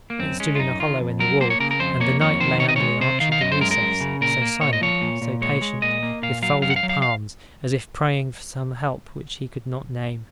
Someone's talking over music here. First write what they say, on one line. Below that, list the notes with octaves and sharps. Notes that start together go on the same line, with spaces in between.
It stood in a hollow in the wall, and the knight lay under the arch of the recess, so silent, so patient, with folded palms, as if praying for some help which he could not name.
A#3
F#2 C4
G#3 C#4
F4
F#2 D#4
D#3 F4
F2
F#3 A#4
A#3 C5
C#5
C#3 A#4
A#4
F2 C5
A#3 C#5
F2 C#5
D#3 C5
C3 C#5
D#5
G#3 C#5
C3 C5
D#3 F5
F5
F#2 D#5
C5
G#3 A#4
A#4
F#2
C#3
A#2 A#4
A#3
A#2 C#5
D#5
F3 C#5
A#2
A#2
G#3 C#5
G#3
A#2 D#5
A#3
A#2 F5
F#3 F5
F#2 F5
F#5
F5
F#3
F5
F5